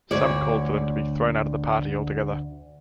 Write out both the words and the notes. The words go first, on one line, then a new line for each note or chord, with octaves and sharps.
Some called for them to be thrown out of the party altogether.
D2 C#5 D5